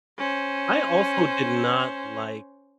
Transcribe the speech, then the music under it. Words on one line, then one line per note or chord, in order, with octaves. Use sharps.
I also did not like
C#4 C5